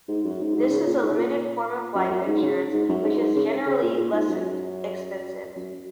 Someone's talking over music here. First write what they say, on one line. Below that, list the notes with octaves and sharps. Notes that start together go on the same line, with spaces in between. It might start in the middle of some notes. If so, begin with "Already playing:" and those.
This is a limited form of life insurance which is generally less expensive.
G#2
F#2
G#2
G#2
C#3
A#2
G#2
C#3
A#2
F#2
F#2
G#2
C#3
G#2
F#2
G#2
G#2
C#3
C#3
A#2
A#2
G#2
F#2
F#2